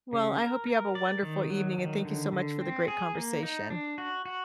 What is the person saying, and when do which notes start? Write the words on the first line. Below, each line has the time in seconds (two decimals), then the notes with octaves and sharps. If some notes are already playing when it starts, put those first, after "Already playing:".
Well, I hope you have a wonderful evening, and thank you so much for the great conversation.
0.13 C#3
0.40 A#4
0.67 A#4
0.95 D5
1.23 D#3
1.50 F#3
1.78 D#3
2.05 D3
2.33 D3
2.61 C4
2.88 G#4
3.15 A#3
3.43 D#4
3.70 D4
3.98 F#4
4.25 F#4